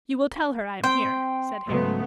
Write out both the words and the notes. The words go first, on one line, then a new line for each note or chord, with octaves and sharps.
'You will tell her I am here?' said Harry.
C4 G5 C6
G#2 C#3 F#3 A3 B3